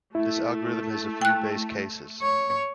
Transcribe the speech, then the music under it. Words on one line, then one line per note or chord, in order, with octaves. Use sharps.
This algorithm has a few base cases.
A3 E4
G5 F#6
C#5